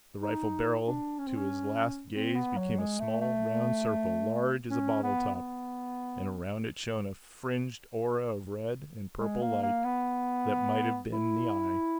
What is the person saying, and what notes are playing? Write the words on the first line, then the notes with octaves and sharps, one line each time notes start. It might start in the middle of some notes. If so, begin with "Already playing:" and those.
The rifle barrel to his last gaze became a small, round circle, large as a bottle top, and around it shone a fringed aura of red and purple light. That might have been the eye.
D#4
D4
C#4
C4
C#4
C4
B3
F#3
G#3
A3
A3
C#4
B3
B3
G#3
A#3
A#3
B3
E4